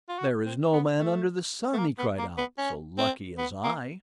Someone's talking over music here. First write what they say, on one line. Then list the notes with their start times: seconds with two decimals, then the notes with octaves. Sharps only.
"There is no man under the sun," he cried out, "so lucky as I."
0.09 F4
0.19 F#4
0.45 C4
0.73 B3
0.99 A3
1.73 A3
1.79 A#3
1.99 B3
2.18 A#3
2.38 B3
2.58 C#4
2.98 C4
3.38 B3
3.64 A#3